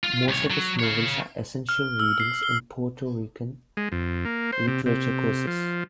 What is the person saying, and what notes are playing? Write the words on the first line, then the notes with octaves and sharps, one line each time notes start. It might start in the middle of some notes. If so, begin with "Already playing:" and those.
Most of his novels are essential readings in Puerto Rican literature courses.
F4
C2 C#5
F#3
C#5 F5
F6
E6
C7
G7
G#3
F2
A#3
C5
C3
C3
F3